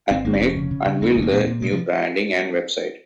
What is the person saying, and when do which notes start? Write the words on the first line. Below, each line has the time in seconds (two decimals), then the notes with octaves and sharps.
Atmail unveil their new branding and website.
0.11 G1 C4
0.25 G1 A#3
0.33 C4
0.41 F1 C#4
0.56 C#3
0.71 C#3
0.86 C#3
1.02 E2 C4
1.11 G#3
1.16 E1
1.22 A#3
1.32 A#2 C4
1.47 A#2
1.62 C3 G#3
1.72 F3